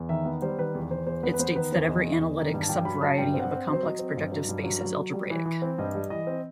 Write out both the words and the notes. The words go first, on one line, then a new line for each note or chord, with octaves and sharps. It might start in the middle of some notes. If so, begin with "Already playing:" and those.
It states that every analytic subvariety of a complex projective space is algebraic.
Already playing: E2
D#3 E5
B3
G3 C5
D#3 B4
E2
E2 C5
E2 C5
B3 B4
B4
B3 C5
D#3 B4
E2 C5
E2 D#5
E2
E2
D#3
G2
A5
G2 G5
F#3 B5
F#3 A5
G2 G5
C4
F#5
C4
F#3
C5
F#3 D#5
C4
G2
F#3
G2
F#3
F#3
F#3
G3
E3
E3
C4
G2 D#5
G3
E3 D#5
C4